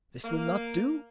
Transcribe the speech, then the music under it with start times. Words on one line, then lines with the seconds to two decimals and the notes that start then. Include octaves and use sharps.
'This will not do.
0.24 A#3